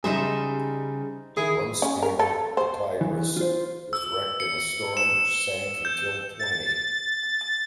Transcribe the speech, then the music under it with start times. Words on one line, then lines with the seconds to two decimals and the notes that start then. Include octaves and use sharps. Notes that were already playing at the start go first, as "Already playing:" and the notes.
One steamer, the "Tigris", was wrecked in a storm which sank and killed twenty.
0.04 C#3 G3 D#4 G#4 C5 E5
1.37 D#3 E4 G#4
1.82 C#4
2.02 A#4
2.19 A4
2.57 C5
3.01 E3
3.37 F4 C5
3.93 E6
4.40 C#7
4.97 E7
5.34 G7
5.85 G6
6.39 A6